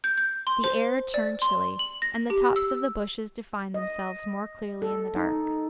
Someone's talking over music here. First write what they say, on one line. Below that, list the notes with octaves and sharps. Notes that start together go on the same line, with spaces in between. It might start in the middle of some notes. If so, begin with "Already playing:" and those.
The air turned chilly, and the tops of the bushes defined themselves more clearly in the dark.
G6
G6
C6
C5
D5
C6
F#7
A#6
G4
E6
D#5
A4
D#4